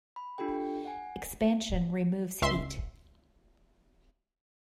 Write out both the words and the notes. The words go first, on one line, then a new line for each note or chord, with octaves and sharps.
Expansion removes heat.
B5
D4 F4 G4 A4 G5
F#5 G#5
C#2 E5 C6